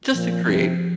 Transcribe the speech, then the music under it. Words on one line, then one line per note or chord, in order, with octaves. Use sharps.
Just to create.
A#2 F3
C3